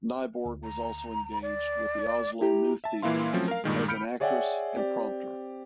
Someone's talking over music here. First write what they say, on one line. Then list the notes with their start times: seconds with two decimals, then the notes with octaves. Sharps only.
Nyborg was also engaged with the Oslo New Theater as an actress and prompter.
0.45 D2
0.64 A#5
1.42 D5
2.41 E4 G4 A#5
2.84 E5 A5
3.02 A#2 E3 A#3 E4 F5 C6
3.33 F3 F#3 A3 C4 C#4
3.48 A#4 F5
3.64 G2 A#2 D#3 G#3
3.88 B5 F6 G6 C#7 D7
4.20 G#4 C#5 D5 E5 F#5 G5
4.75 C4 G4 D5